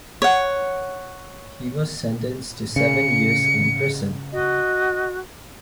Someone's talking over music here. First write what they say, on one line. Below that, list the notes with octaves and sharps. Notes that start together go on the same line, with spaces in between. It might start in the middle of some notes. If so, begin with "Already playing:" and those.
He was sentenced to seven years in prison.
C#5 F#5
C#3 C#7
F#4 D#5